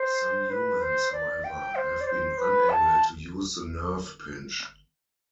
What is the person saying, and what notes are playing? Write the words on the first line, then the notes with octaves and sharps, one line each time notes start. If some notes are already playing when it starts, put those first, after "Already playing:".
Some humans, however, have been unable to use the nerve pinch.
Already playing: C5
B4
C5
D5
G5
C5
D5
C5
B4
A5